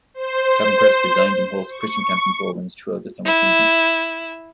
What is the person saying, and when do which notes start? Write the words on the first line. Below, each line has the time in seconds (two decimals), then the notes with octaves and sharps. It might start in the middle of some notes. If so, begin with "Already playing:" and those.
Calvin Crest designs and hosts Christian camping programs throughout the summer season.
0.14 C5
1.70 C#6
3.25 E4